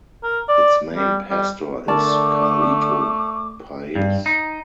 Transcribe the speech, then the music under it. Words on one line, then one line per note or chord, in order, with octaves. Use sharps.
Its main pastor is Carlito Paes.
A#4
D5
G3
G3
D3 A3 A#4 D5 A5 D6
G2
D#4